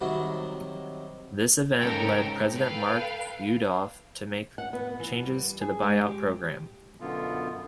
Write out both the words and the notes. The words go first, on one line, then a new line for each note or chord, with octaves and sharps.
This event led President Mark Yudof to make changes to the buy out program.
C3 D#3 F#3 G3
G#2 C#3 A4 A#4 G5
A4 B4 F5 G5
F#5
B3
E3
G3
G#4
G#3
G4
F#2 B2 D3 B3 F4